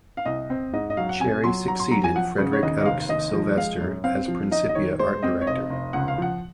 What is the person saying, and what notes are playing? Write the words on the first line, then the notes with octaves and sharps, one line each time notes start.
Cherry succeeded Frederick Oakes Sylvester as Principia art director.
F5
C2 D#5
C4
G#2 D#5
D#5
F#3 F5
F#5
C3 G#5
F#3 C6
F#3 A#5
C6
F#3 A#5
G#5
F3 F#5
C#3
C#5
D#2 D#5
D#5
F1 F5
D#2 D#5
F3
G#3 F5
F#2
C4 F5
F3
D#4 D#5
D#5
D#3 C#5
G#3 C5
C4 D#5
C#5
F1 D#5
F1
C#2 F#5
F5
F3 F#5